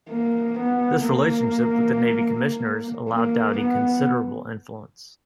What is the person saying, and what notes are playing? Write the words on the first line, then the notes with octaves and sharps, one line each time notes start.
This relationship with the Navy Commissioners allowed Doughty considerable influence.
A#3
B3
A#3
A#3
B3